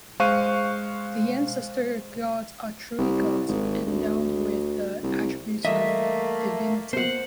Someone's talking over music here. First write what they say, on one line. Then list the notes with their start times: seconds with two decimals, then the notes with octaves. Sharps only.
The ancestor-gods are truly gods, endowed with the attributes of divinity.
0.20 G#3 C5 F5 C#6 F#6 D#7
2.98 C2
3.48 G#1
3.87 D2
5.03 C2
5.65 E3 G3 A3 A#3 D#5 E5
6.93 A#3 B3 C5 F#5